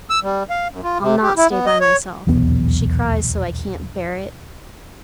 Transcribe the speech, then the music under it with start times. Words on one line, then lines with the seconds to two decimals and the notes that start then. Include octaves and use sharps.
'I'll not stay by myself. She cries so I can't bear it.
0.10 E6
0.23 G3
0.50 F5
0.71 F#2
0.84 F4
1.01 C3
1.22 G4
1.37 E4
1.51 B3
1.66 D#5
1.81 C#5
2.27 D#1 B1 E2 B3